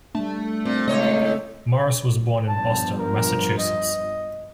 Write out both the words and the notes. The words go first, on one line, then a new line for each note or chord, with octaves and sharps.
Morris was born in Boston, Massachusetts.
G3 A3 D4
A#2 C4
A2 C#3 G#3 C#5 D#5
G2 F3 B3 A5
A#4
D#5